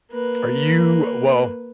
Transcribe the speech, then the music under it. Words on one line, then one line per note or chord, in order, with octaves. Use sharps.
Are you well,
A#3 B4